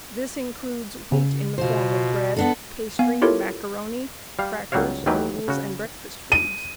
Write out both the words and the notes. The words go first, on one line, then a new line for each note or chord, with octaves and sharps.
This includes wheat in the form of bread, pastry, macaroni, crackers, noodles, and breakfast foods.
C#3
B2 F4 C5
B3 D4 A4
B3 F5 G#5
E4 F4 G4 A4 A#4 C#5
G3 F5
C#2 F#3 G3 F#4 C#5 F5
D#2 D#3 E3 F#3 G4 B4
C#3 F#4
D#7